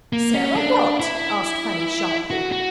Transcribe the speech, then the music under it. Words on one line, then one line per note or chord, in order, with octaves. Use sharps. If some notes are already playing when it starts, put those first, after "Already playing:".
'Sarah what?' asked Fanny, sharply.
A#3
C#4
D4
E4
F#4
F#4